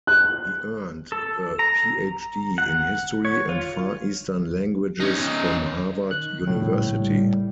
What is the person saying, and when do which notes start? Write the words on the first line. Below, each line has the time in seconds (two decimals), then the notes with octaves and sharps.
He earned the Ph.D. in history and Far Eastern languages from Harvard University.
0.07 F#6
1.12 A4
1.59 A#5
2.58 F#5
3.25 C#5
3.49 F4
5.00 C#4 D#4
6.11 D#3 F#6
6.47 A#1 A2 C#3 G3
6.92 G3